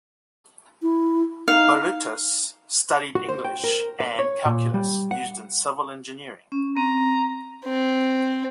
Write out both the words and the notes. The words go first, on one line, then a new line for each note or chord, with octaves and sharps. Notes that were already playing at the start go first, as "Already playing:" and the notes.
Balutis studied English and calculus used in civil engineering.
E4
D#4 F5
F#4
C5
G5
A#4
B4
C#5
A#2
G3
F#5
C#4
C4 A#5
C4